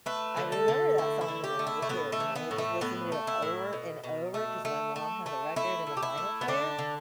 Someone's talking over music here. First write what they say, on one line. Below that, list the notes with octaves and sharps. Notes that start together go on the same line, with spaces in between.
I remember that song when I was a kid, and I would just listen to it over and over, 'cause my mom had a record and a vinyl player
A3 B4
D3
A4
D3
A3 E4
E4
D3
G4
A3
E4
A3
A2 B3
A3
E3
B3
A2
A3
A2 B3
A3
E4
A2
B2
B2
A3
A3
A3
A3
A3 E4
A3
G4
E4
A3
B3
D3 D4
D3